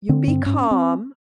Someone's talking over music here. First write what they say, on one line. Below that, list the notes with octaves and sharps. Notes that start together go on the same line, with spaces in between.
you be calm,
D3 C4
G2 C4
G#2 C#4
C4